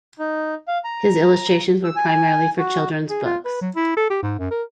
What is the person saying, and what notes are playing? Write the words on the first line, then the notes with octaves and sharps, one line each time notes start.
His illustrations were primarily for children's books.
D#4
F5
A#5
E6
G#5
F#4
G#4
F4
B4
F#3
E4
A4
G4
G#2
F#2
A#4